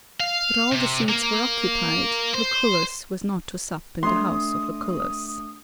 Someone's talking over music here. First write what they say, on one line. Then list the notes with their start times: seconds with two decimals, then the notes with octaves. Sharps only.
But all the seats were occupied; Lucullus was not to sup in the house of Lucullus.
0.20 F5
0.72 C3
1.09 A#3
2.34 C5
4.03 A3 D4 E5 C6 D#6